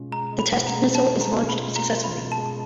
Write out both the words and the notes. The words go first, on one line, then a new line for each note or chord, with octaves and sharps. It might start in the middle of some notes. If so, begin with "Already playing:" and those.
The test missile is launched successfully.
Already playing: B2 G#3 C#4 F4
G#3 A#5
G#3
B5
B2
A#5
G#3
C#4 A5
G#3
A#5
B2
B5
F4
F4 A#5
F4
B5
B2
A5
G#3